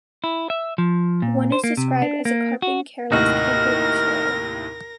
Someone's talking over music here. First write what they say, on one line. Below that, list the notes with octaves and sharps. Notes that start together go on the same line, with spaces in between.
One is described as a carping careless cankerd churle.
E4
E5
F3
A#2
C5
A#3
C3
D4
A#3
F#4
D#2 A2 C3 D#4 F#4 A#4 F6 A#6